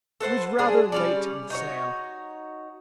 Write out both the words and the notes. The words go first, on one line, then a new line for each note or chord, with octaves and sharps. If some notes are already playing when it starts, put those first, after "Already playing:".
It was rather late in the sale.
A4 B4 C5 F#5
G#3 D4 G#4
G3 C#4 D5
D#4 F#4 C#5